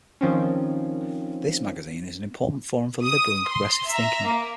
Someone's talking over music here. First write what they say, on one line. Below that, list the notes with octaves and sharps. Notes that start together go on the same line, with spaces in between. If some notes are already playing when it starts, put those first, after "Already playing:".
This magazine is an important forum for liberal and progressive thinking.
D#3 F3 C4 C#4
D#6
C6
E5 A#5
A#3